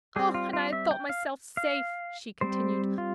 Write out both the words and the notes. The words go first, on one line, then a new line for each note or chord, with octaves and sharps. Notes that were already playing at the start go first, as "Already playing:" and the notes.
"Oh! and I thought myself safe," she continued.
G3 C4 G#4
F4
F4
E5
G5
F5
F5
G3 C4 C5
F4